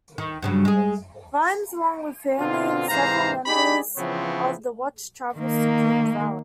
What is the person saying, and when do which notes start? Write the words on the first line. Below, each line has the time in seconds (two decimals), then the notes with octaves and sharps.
Vimes, along with family and several members of the Watch, travels to Koom Valley.
0.18 D#3
0.42 G2 C#3 F#3
0.65 G#3 G#4
2.39 B2 D3 C4 F4
2.89 G#2 C3 E3 C5 F5 A#5
3.46 D#4 G4 G#4 D5 B5
3.97 C#3 E3 F3 B3 C4 C#5
5.37 D#3 A#3